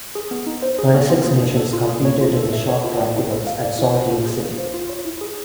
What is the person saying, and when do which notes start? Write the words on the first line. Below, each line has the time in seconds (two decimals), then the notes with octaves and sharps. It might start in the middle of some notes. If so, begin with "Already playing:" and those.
Twenty-six nations competed in the short track events at Salt Lake City.
0.15 G#4
0.31 B3
0.47 D#4
0.62 C5
0.79 G#4
0.94 B3
1.10 F4
1.26 A#3
1.42 D4
1.57 A4
1.73 F4
1.89 A#3
2.05 C#5
2.21 F4
2.37 A4
2.53 E5
2.68 C#5
2.84 F4
3.00 D5
3.16 E4
3.31 A4
3.47 F5
3.63 D5
3.79 E4
3.95 C5
4.11 F4
4.26 G#4
4.42 F5
4.58 C5
4.74 F4
4.89 C#5
5.05 E4
5.21 G#4